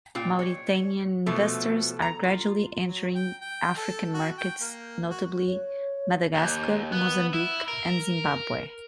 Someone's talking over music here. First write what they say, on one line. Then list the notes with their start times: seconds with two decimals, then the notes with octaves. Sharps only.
Mauritian investors are gradually entering African markets, notably Madagascar, Mozambique and Zimbabwe.
0.15 A#2 F4 G5
0.39 C#5
1.26 B2 F3 A3
2.02 A#5
2.24 F4
2.86 F#3
3.15 G5
3.41 G5
3.77 A4
4.14 F#4
4.38 G5
4.60 A#3
5.09 F#4
5.47 C#5
6.35 D#2
6.92 B3
7.33 E4
7.68 A#4